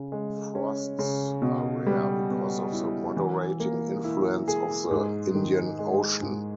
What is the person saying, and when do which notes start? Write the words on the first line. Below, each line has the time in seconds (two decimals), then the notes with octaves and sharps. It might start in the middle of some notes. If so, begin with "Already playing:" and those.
Frosts are rare because of the moderating influence of the Indian Ocean.
Already playing: C#3
0.12 G#3
0.55 C#4
0.99 C#3
1.42 B2
1.86 G3
2.30 B3
2.72 E4
3.17 E3
3.60 A#3
4.04 E4
4.48 G#4
4.91 G#2
5.35 D#3
5.79 G#3
6.22 G#2